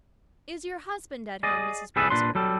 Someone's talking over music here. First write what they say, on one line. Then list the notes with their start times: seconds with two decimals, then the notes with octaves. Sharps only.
"Is your husband at home, Mrs. Poyser?"
1.43 G#4 D5 D#5
1.96 C2 G3 G#4 A4 B4 E5
2.10 A#2 D4 B4 C6
2.35 F#3 G3 A4